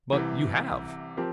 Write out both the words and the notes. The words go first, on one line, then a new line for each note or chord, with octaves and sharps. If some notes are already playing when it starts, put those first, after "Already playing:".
"But you have."
C2 C3 E3
F3 C4 G4 A#4